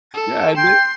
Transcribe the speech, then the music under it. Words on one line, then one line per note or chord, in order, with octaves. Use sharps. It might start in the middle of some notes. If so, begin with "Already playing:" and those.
yeah and they
A4
G5 C6